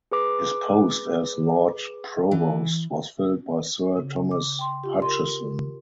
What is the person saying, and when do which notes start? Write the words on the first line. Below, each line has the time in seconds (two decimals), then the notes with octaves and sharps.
His post as Lord Provost was filled by Sir Thomas Hutchison.
0.11 G#4 B4 D6
2.31 E3
3.97 C#3
4.31 D6
4.59 G5 C6
4.84 F4 G4
5.02 A#4 C6